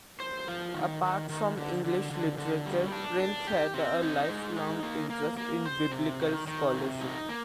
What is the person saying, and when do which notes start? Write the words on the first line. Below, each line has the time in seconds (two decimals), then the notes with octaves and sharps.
Apart from English literature, Price had a lifelong interest in Biblical scholarship.
0.20 C5
0.48 F4
0.74 D#3
1.02 D#3
1.29 D#3
1.57 D3
1.84 D3
2.11 D3
2.38 D3
2.66 G3
2.92 D4
3.20 D4
3.47 G4
3.74 C4
4.02 D#4
4.29 G#3
4.57 D#4
4.83 A#3
5.10 A#3
5.37 A#3
5.66 C5
5.92 C3
6.20 D#3
6.47 D#3
6.74 C3
7.01 D#4
7.29 A#3